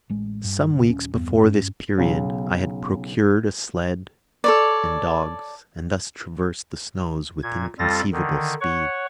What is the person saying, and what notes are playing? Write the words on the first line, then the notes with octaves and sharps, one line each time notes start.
Some weeks before this period I had procured a sledge and dogs and thus traversed the snows with inconceivable speed.
A1 G#3
G2
F#1 C2 C#3
D#1 C#4
E2 G2 B3
G2 C#4
B1 C#3
A4 C#5 D5
A#2 G#6
F2 G3 F4 A4 A6 A#6
D3 D#3
C#5 F#5 C#6